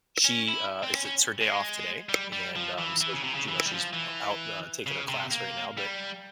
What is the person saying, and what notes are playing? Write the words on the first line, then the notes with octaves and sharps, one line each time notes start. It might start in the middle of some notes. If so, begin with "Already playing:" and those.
she, uh, it's it's her day off today, and, um, so, s you know, she's out, uh, taking her class right now, but,
C#4
E4
C4
C#4
C#4
G#3
G3
G3
F3
E3
E3
C#3
C3
C#3
E3
G3
F3
E3
C#3
C3
A#3
G3